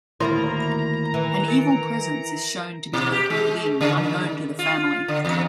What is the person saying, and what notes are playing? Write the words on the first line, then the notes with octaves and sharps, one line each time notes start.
An evil presence is shown to be lurking within, unknown to the family.
D2 D#3 A#3 E4 C5 E5 A#5 B5
E3
A#4 C#7 D7
B2
G4
G#3
C#3
D#3
F4
D3
E2